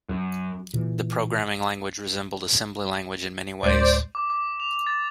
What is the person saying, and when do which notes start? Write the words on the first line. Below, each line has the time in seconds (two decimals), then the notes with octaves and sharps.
The programming language resembled assembly language in many ways.
0.09 F#2
0.73 A#2 C#3 E3
3.63 D1 G#3 C5 D5 D6
4.15 D6
4.30 D6
4.60 F7
4.87 A6